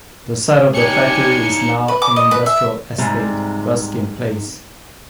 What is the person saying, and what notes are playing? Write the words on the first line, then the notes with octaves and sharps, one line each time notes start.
The site of the factory is now an industrial estate, "Ruskin Place".
D4 D#4 G4 C#5 G#5 C#7
B4
D6
D#5
B4
E5
G#2 C3 G3